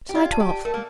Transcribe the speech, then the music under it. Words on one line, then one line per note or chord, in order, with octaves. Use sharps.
July Twelfth.
G4
F4 D5
A5
G4
A5
A3 A#4
A#3